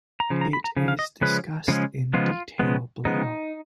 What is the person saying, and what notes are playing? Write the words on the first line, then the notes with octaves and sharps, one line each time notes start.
It is discussed in detail below.
A#5
C#3 F3
A#5
B5
A#5
C#3 F3
F5
D#5
C#3 F3 G#3 C#4 B4
C#3 F3 G#3 C#4
C#3 F3 G#3 B3 F4
C#3 F3 G#3 B3
C#3 F3 G#3 B3 D#4